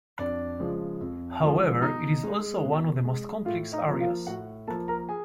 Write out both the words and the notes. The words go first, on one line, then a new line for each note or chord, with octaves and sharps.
However, it is also one of the most complex areas.
F2 D4 D5
C#3 F3 G#3
F2
C#3 F3 G#3
B2 D#4 D#5
G#3
B2
G#3
A2 F4 F5
D#4 D#5
F3 A#3
F4 F5
A2 F#4 F#5
F3 A#3 A4 A5
A#4 A#5
G#4 G#5